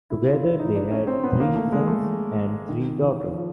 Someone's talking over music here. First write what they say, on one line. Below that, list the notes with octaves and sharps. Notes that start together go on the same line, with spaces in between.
Together they had three sons and three daughters.
E4
F4
E4
D#4
D4
C#4
C4
B3
A#3
A3
G#3
A3
D#3
E3
F3